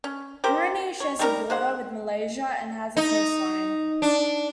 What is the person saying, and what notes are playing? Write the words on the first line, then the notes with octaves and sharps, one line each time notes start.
Brunei shares a border with Malaysia and has a coastline.
C#4
G4 A#4 C5
C#5
G3 A3 D#4 A#4
G#3 C5 F#5
D#4
D4